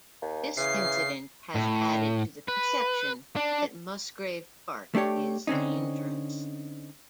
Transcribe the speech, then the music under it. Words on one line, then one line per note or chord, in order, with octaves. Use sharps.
This incident has added to the perception that Musgrave Park is dangerous.
D#2
C#3 E3 C7
A2
B4
D4
A3 D4 G4 C#5
D3 C4 C#4 D#4